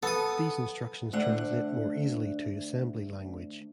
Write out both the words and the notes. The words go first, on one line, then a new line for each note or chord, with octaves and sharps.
These instructions translate more easily to assembly language.
B3 A4 D#6
D2 A3 D4 F#5